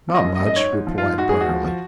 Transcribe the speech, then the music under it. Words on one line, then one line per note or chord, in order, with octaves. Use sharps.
"Not much," replied Briarly.
F3
D#5
F#2
D#5
F#2
D#5
G#2 C#5
G#2
F3
F4
G#2
G#2 F#4
G#3 G#4
F#4
F3
F3